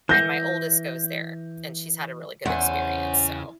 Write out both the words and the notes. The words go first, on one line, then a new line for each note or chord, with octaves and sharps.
and my oldest goes there and she's had a really good experience, so
E3 G6 A#6
E2 C#3 C#4 C5 F#5 G#5